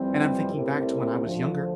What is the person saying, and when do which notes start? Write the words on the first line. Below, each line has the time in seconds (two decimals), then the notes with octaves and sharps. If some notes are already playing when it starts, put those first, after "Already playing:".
and I'm thinking back to when I was younger,
Already playing: F2 E3 G3 C4
0.53 A2 G3 C4 E4 A#4
1.22 D2 D3 F3